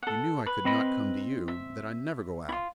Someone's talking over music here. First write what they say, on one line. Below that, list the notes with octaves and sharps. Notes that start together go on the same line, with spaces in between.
You knew I could not come to you--that I never go out.
A4 F#5
B4
C4 D#5 B5
E5
E4 F4